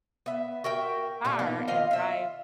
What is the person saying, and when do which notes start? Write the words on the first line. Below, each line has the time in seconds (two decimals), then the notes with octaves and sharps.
car and drive
0.26 B3 E5
0.64 F#4 A#4 E5 G5
1.25 A#2 D3 D4 G4
1.39 F3 A#3 B3 D#4
1.68 D#3 F4 D#5 F5
1.91 F4 E5